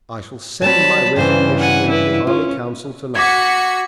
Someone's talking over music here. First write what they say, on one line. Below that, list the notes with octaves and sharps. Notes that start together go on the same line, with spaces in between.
I shall send my resignation in to the Army Council to-night.
F#3 G3 C4 A5 B5
G2 C#3 E3 C5
F#5 G#5
E4 B4
C#4 F4
F#4 D6 G#6 B6 C#7